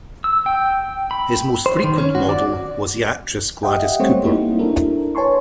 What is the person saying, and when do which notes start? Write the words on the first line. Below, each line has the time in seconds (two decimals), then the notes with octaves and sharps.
His most frequent model was the actress Gladys Cooper.
0.24 E6
0.46 G5
1.11 B5
1.66 C5
1.84 D#3
1.98 C#4
2.15 F#4
2.29 D5
3.63 G4 D#5 E5 F#5 G5
4.00 G3 A3 C4 G4 C5 C#5
4.24 A#3 D#4 E4 F#4
4.59 D4 E4 A4 A#4
5.15 B4 C#5 G#5 A5 C6 C#6